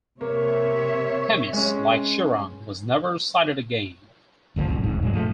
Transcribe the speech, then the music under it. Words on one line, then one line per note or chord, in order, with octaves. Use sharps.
Themis, like Chiron, was never sighted again.
C3 A#3 C#5 E5
G#3 C#4
G1 D2 C#3 F3
D1 C2 F#2
E1 G#2
G2 A#2 F#3 G#3
F3 A3